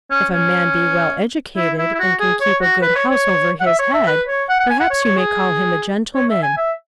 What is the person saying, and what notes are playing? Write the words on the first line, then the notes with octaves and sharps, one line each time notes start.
If a man be well educated, and can keep a good house over his head, perhaps you may call him a gentleman.
C#4
C#4
E4
E4
E4
F#4
G#4
C#5
F#4
B4
C#5
C#5
F#5
E5
C#5
E5
B4
C#5
F#5
F#5
G#5
F#5
C#5
C#5
G#4
C#5
E5
G#5
E5